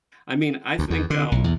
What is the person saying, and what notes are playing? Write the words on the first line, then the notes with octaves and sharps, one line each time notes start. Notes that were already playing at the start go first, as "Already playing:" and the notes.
I mean, I think, um
D2
E2
D3
B1
E2